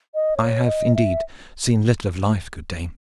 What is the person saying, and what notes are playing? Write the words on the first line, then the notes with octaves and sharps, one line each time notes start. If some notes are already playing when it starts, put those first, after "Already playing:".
"I have indeed seen little of life, good dame."
D#5
C#5
D#5
E5